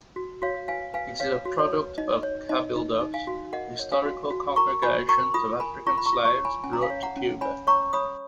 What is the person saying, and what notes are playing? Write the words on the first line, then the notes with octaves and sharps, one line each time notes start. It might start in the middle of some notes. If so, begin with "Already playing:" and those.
It is a product of "cabildos", historical congregations of African slaves brought to Cuba.
F#4
F#4 C#5 F5
B4 F5 G#5
B4 F5 G#5
B4 C#5 F5
F#4
C#5
B4
D#4 D#5
C#5
D#4 D#5
D#4
D#4
F5 G#5
F#4
A#4 D#5 F#5
C#5
F5 G#5
F#4
F#4
A#4 A#5 C#6
F#4 G#5 B5
A#4 A#5 C#6
F4 B5 D#6
A#4 G#5 B5
F4 A#5 C#6
B5
A#5 C#6
F4
A#5 C#6
C#5
G#5 B5
C#4 G#5
A#5
F5 G#5
C#5
F#5 A#5
C#4
C#5 G#5 B5
C#5 A#5 C#6
C#5 B5 D#6